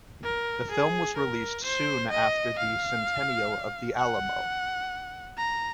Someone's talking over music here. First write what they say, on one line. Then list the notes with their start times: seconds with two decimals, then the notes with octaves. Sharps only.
The film was released soon after the centennial of the Alamo.
0.24 A#4
0.71 G#4
1.17 A#4
1.64 C5
2.11 D#5
2.58 F5
3.97 F#5
5.38 A#5